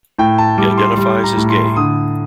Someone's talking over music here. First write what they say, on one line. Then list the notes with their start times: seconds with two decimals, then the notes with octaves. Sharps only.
He identifies as gay.
0.18 A2 G5
0.38 A5
0.58 G3 D6
0.78 C6
0.97 G3 C6
1.24 A#5
1.37 A2
1.50 C6
1.76 D3 D#6